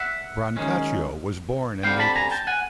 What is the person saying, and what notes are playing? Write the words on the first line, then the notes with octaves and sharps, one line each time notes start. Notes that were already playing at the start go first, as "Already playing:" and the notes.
Brancaccio was born in Naples.
Already playing: E5 F#5
F#2 D#3 G#3 C#4
D3 G3 C4 F5 G5
A5 B5
G#5 A#5
G5 A5
F#5 G#5